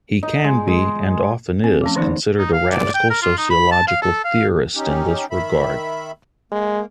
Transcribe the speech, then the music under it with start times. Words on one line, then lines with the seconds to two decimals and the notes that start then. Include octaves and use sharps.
He can be, and often is, considered a radical sociological theorist in this regard.
0.23 D#4
0.44 G#3
0.68 G#3
1.64 C4
1.82 F3 A3 C#4
1.95 D3 E3 F#3 A#3 D#4 D5
2.39 D#4
2.53 F5
2.71 D5
2.94 G5
3.11 A#4
3.22 F4
3.38 D#4
3.51 B5
3.72 A5
3.88 F5
4.02 A4
4.25 F5
4.76 C#4 D#4 G4
5.31 D#3 E5 B5
6.52 G#3 A#3